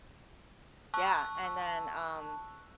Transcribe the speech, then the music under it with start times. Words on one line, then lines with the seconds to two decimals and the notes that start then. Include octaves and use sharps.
Yeah, and then, um
0.94 A5 C#6 E6 F#6